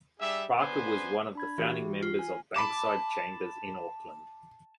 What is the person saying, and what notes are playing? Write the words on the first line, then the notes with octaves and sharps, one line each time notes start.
Barker was one of the founding members of Bankside Chambers in Auckland.
G3 D4 G#4 E5
B3 D4 B4 C5 G#5 C6
D4 B5 G#6
E3 F#4 G4
F4
G#5
A5 B5 D6